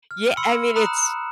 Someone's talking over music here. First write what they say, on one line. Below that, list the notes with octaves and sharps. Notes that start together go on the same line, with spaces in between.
Yeah, I mean, it's
F6
B5 C6 E6 C#7
A#5 B5 D#6 F#6 E7